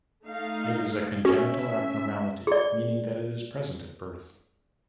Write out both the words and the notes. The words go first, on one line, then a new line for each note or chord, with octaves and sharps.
It is a congenital abnormality, meaning that it is present at birth.
A3 D#4 F5
C#4 F#4 E5
G#4 D5